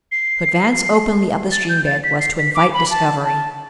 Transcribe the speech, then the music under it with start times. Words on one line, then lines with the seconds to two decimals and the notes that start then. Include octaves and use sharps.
To advance openly up the stream bed was to invite discovery.
0.12 C7
1.52 A6
1.69 G6
1.86 A6
2.04 B6
2.20 C7
2.39 B6
2.55 D6
2.73 B5
2.91 A5
3.25 A5